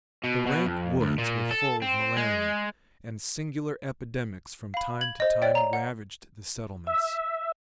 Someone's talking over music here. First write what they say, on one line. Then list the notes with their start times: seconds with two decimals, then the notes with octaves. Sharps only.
The rank woods were full of malaria, and singular epidemics from time to time ravaged the settlements.
0.24 B2
0.47 B2
0.66 F2
1.01 D2
1.18 A#2
1.51 A4
1.82 C4
2.17 G#3
4.74 F5 B5
5.01 G#6 F#7
5.20 C5 D#5
5.42 C#5 D5 E5 G5
5.55 A#5
5.73 F#5
6.87 E5